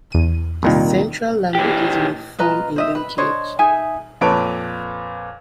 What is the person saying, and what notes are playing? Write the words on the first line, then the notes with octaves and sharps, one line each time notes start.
The Central languages may form a linkage.
E2 D#7
C2 A#2 D#3
E3 G4
F4 B4 D#5 A#5
C5 D#5 E5
B4
D4 C5 C#5 D#5
D#4 G#4 E5 G#5
F2 A#2 A4 B4 C#5 D7